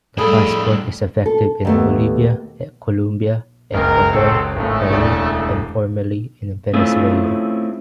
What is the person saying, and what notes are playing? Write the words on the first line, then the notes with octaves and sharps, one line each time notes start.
The passport is effective in Bolivia, Colombia, Ecuador, Peru and formerly, in Venezuela.
F2 A2 G3 A3 D4 G#4 A4 B5
A4
D#2 A3 B3
F#1 C#2 A#4
F#3 C4 A4
G#1 A2 C#3 A3
E1 D2 D5
A3 C4 C#4 E4 F4 G#4